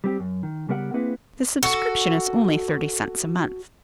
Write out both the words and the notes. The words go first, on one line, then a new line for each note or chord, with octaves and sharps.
"The subscription is only thirty cents a month."
G3 C4 G4
F#2
D#3
C#3 G3 B3 A#4 F5 F#5
A#3 C4 E4 G#4 B4 F#5
F#4 A4